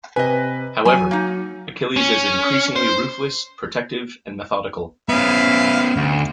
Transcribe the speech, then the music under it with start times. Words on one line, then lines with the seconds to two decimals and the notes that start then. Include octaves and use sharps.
However, Achilles is increasingly ruthless, protective, and methodical.
0.16 C3 B4 D#5 G#5
0.85 F#3 G#5 D#7
1.11 A#3 D#4
1.97 C#4
2.76 C5
5.09 B3 C#4 E4 F5
5.97 D2